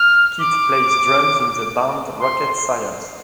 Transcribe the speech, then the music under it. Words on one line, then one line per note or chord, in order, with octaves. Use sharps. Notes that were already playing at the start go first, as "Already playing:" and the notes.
Kit plays drums in the band Rocket Science.
Already playing: F6
D6
C6